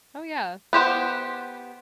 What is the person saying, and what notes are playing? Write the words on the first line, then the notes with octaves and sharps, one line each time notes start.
Oh, yeah.
B3 G4 C5 F#5